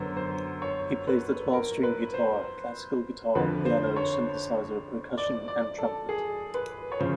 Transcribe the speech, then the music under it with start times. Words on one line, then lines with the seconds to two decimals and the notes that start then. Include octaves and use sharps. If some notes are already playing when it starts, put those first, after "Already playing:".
He plays the twelve-string guitar, classical guitar, piano, synthesizer, percussion and trumpet.
Already playing: F#2 D3 F#3 B3 C5
0.17 C5
0.62 C#5
1.07 B4
1.53 A#4
1.83 B4
2.14 C5
3.35 F2 D3 F3 B4
3.65 C5
3.96 C#5
5.18 D5
5.48 D5
5.78 A4
6.09 G#4
6.54 B4
6.92 C#5
7.00 C#3 F3 C5